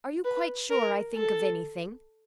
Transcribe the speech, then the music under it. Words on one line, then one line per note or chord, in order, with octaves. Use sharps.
"Are you quite sure I think of anything?"
B4
A#4
A4